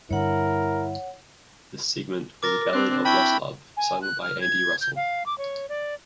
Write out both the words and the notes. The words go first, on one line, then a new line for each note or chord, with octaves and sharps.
This segment was a ballad of lost love, sung by Andy Russell.
G2 D3 E4 A#4 C#5 F#5
A#4 D6 A6 A#6
C4 D4 F#6
E4 G5 A5 B5 C#6
G#5
F#6
F6
G#6
G6
F5
D6
C#5
D5